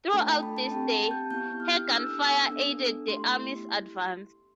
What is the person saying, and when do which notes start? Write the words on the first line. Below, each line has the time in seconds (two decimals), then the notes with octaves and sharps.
Throughout this day, her gunfire aided the Army's advance.
0.12 A3 D4 F4 A4 G5
0.27 A5
0.43 B5
0.57 A5
0.71 C4 G4 G5
0.92 A5
1.11 G6
1.31 B3 E4 G4 G6
1.60 F6
1.89 D4 A4 E6
2.49 B3 D4 A4
3.08 A3 E4 G4 C6